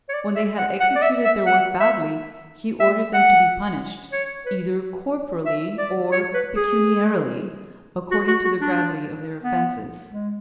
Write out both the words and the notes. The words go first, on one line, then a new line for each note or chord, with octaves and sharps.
When they had executed their work badly, he ordered them to be punished, either corporally or pecuniarily, according to the gravity of their offences.
C#5
D5
E5
F#5
F#5
D5
E5
E5
F#5
E5
E5
F#5
C#5
B4
E5
D5
C#5
B4
G#4
F#4
F#4
F#4
D4
B3
G#3